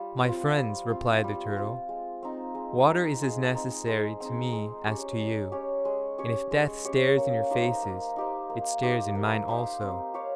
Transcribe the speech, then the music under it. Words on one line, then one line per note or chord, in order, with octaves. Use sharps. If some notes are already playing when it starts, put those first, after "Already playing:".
'My friends,' replied the turtle, 'water is as necessary to me as to you, and if death stares in your faces, it stares in mine also.
Already playing: G3 F4
C4 F4
G3
C4 F4
G3
C4 F4
G#3
C4 D#4
G#3
C4 D#4
G#3
C4 D#4
G#3
C4 D#4
G#3
C#4 G4 C#5
G#3
C#4 G4 C#5
G#3
C#4 G4 C#5
G#3
C#4 G4 C#5
A#3
D#4 G4 C5
A#3
D#4 G4 C5
A#3
D#4 G4 C5
A#3
D#4 G4 C5
C4
G4 C#5 F5